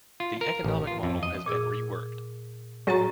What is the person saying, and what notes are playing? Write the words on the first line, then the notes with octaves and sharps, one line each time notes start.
The economic model has been reworked.
F4
A#4
A1
F4
F2
D#5
A#2 G#4 E6
A2 F#3 C#4 G#4 A#5 A6